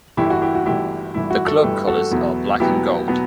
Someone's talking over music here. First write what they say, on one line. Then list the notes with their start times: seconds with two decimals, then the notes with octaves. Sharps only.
The club colors are black and gold.
0.17 G1 G2 E3 E4 G4
0.30 F#4
0.42 E4 G4
0.55 F#4
0.66 G1 G2 E3 E4 G4
1.14 G1 G2 E3 E4
1.30 F#4
1.46 F#4 A4
1.63 G1 G2 E3 G4 B4
1.87 F#4 A4
2.11 E2 B2 F#3 B3
2.60 E2 B2 F#3 B3 E4 G4
3.08 B2 F#3 B3